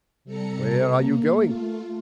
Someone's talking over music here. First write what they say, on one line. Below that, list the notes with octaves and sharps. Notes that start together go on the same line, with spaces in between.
Where are you going?
C3 G3 A4 A#5 C#7
A#3
A3 F4